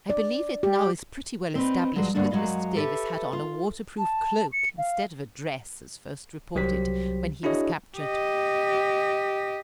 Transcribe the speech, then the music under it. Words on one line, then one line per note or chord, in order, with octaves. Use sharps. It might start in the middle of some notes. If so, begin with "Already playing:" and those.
I believe it now is pretty well established that Mr. Davis had on a water-proof cloak instead of a dress, as first reported, when he was captured.
D5
G4
C4 D#4 B4
G2 F3 F#3 G#3
G2 D3 A3 A#3 D4
F#2 F#3 G#3 F4 D#5 F5
G4 A4 B4 D#5 E5
F4
A5
C#7
F5
C2 F#3 G4 C5 B6
D4 E4 F#4 G#4 C#5 D#5
G4 D#5